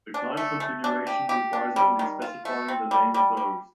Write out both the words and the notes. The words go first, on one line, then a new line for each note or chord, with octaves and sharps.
The client configuration requires only specifying the name of the host.
D4
A3
A3
D4
G4
G4
D4
G3
D#3
F4
A3
C4
G3
G3
G3